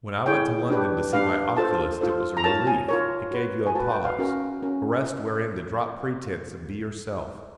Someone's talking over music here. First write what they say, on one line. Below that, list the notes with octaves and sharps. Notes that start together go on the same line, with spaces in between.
When I went to London to see my oculist it was a relief; it gave you a pause, a rest wherein to drop pretence and be yourself.
E4 G#4 C#5 G5
D4 G4 B4
D4 G4 B4 F5
F4 A4 C5 A5
F4 A4 C5
A#5
F4 A#4 C#5 A5
G#5
F4 A#4 C#5
F#4 B4
G#5
F#4 B4 A5
G5
F5
C#4 F#4 A#4
C#4 F#4 A#4